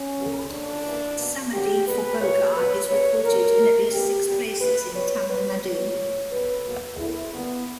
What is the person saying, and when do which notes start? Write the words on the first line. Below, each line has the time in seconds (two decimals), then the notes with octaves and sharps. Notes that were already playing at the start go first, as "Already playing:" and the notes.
Samadhi for Bogar is reported in at least six places in Tamil Nadu.
Already playing: C#4
0.15 C#3 F#3 B3
0.50 D3 A#3 D4
0.84 C#3 E3 A#3
1.18 B2 A#3
1.52 D3 F#3 A#3 G4
1.86 A#2 G3 B3 B4
2.20 A#2 A#3 C#5
2.55 A#2 F#3 B3 B4
2.89 C#3 G3 A#3 C#5
3.23 A#2 F#3 B3 A#4
3.57 A#2 G3 A#3
3.91 C#3 E3 B3 G4
4.26 A#2 G3 B3 G4
4.60 C#3 E3 A#3 B4
4.94 C#3 G3 B3 C#5
5.28 A#2 F#3 A#3 B4
5.62 C#3 F#3 B3 C#5
5.96 A#2 A#3
6.31 C#3 G3 B3 B4
6.65 B2 F#3 A#3
6.99 D3 F#3 B3 E4
7.34 D3 G3 A#3 B3